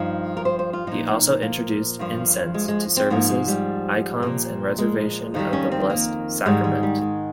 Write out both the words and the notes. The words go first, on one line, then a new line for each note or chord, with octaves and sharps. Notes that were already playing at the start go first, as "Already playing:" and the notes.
He also introduced incense to services, icons and Reservation of the Blessed Sacrament.
Already playing: G2 F3 D#4
A#4
C5
C5
F4
A#2 F3 D#4
A#3
G2 F3
G#3
G#3
C4
G#2 F3 A#3
G#3
G3
A#2 F3
G#3
F2 D#3 G3 D#4
C#4
C4
A#3
G#2 D#3 G3 G#3
G#3
G3
G#3